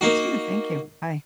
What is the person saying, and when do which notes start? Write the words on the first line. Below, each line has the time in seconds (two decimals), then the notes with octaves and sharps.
You too, thank you. Bye.
0.01 A#3 D#4 F#4